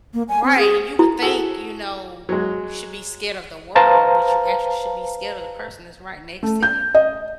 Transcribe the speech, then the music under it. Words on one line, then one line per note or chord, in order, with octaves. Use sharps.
Right. You would think, you know, you should be scared of the world, but you actually should be scared of the person that's right next to you.
A#3
G#5
C4
G#4
E4
F#4 G#4 A4
F#3 G#3
B4 C5 F5 A5 A#5
A3
G6
D#5